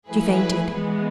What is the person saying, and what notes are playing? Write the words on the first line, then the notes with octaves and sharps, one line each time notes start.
She fainted.
F3 A3 E4 G#4 B4
E3 G#3 B3